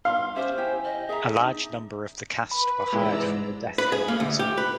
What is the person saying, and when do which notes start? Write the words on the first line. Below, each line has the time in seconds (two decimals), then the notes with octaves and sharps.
A large number of the cast were hired from the deaf community.
0.05 F5 C6
0.36 C#4 G4 C5 E5
0.57 E4 G4 G#5
0.84 D#5
1.09 G#4 E5 A#5
1.39 D4 D#4
2.51 B4 B5
2.93 G#2 C3 E3 G#3 E4 D5 A#5 E6
3.78 B4
3.92 G#4
4.08 A#3
4.20 D2
4.39 G4
4.57 B4